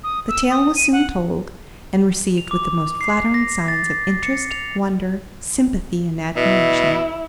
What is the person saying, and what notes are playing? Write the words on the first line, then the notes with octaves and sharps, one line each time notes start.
The tale was soon told, and received with the most flattering signs of interest, wonder, sympathy, and admiration.
D#6
E6
D#6
D#7
F#5
F7
D6
C7
A#6
A6
C#7
F7
B2 E4